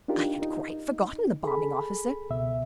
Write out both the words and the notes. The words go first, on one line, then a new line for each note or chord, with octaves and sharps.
I had quite forgotten the Bombing Officer.
D4 D#4 F4 G4 A#4
D#4
G#4 A4 B5
C#2 B2 E5